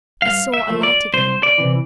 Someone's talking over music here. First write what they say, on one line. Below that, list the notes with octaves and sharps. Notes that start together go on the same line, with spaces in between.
I saw a light again.
G2 F5
E5
F3 A3
D5
C2 C5
D5
C3 E3